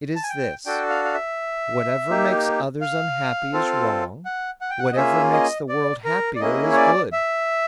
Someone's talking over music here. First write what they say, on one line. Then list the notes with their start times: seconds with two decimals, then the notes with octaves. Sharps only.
It is this: Whatever makes others unhappy is wrong; whatever makes the world happier is good.
0.16 A5
0.23 G#5
0.30 G5
0.66 D4 F#4 A4 G5
0.90 F5
1.05 F5
1.14 E5
2.10 A#3 D#4 G4
2.81 F5
3.53 C4 F4 A4
4.25 F#5
4.61 F#5
4.70 G5
4.79 F#5
4.93 D#5
4.97 A#3 C#4 F4 G#4 E5
5.33 D#5
5.69 D5
6.05 A#4
6.36 D5
6.40 A#3 C#4 E4 G#4 D#5
6.73 C#5
6.76 D5
7.12 E5